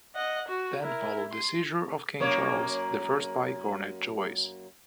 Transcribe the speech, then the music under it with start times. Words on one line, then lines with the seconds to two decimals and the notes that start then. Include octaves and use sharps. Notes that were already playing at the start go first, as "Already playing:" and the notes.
Then followed the seizure of King Charles the First by Cornet Joyce.
0.15 D#5 F#5
0.48 F#4
0.81 E4 A#4
1.31 C6
2.20 F#2 A#3 C#5